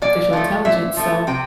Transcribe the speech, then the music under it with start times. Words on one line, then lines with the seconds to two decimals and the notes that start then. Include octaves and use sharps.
artificial intelligence, so,
0.02 A#2 D5
0.33 F3 A3
0.65 A#2 E5
0.97 F3 A3
1.27 C3 G5